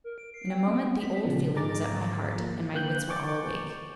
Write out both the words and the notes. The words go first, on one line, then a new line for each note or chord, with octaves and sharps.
In a moment the old feeling was at my heart, and my wits were all awake.
A#4
D7
C7
G5
C4
B3
B6
A#2 C#3 E3 F3 B3
G#2 G#3 G#4 A#5 D6 A6
F3 A#3
D3 A#3 G5 F#6 G6
G#5 C#6 D6 G6 A6